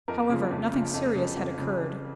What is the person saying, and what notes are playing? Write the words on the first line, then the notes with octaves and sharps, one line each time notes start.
However, nothing serious had occurred.
F2 A#4
C#3 F3
F2
C#3 F3
F2
C#3 F3
F2
C#3 F3